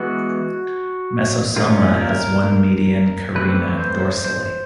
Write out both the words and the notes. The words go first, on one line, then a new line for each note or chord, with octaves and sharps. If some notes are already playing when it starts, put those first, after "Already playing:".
Mesosoma has one median carina dorsally.
Already playing: E3 G#3 B3 F#4
D#3 G3 A#3 C#4 F4
A#4
E3 A3 C4 B4
C5
C5